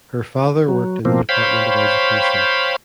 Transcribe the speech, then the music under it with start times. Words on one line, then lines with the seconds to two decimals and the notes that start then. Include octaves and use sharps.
Her father worked in the Department of Education.
0.68 F#3
1.05 B2 F3 A#3 C4
1.29 C5 C#5 F5 G5 B5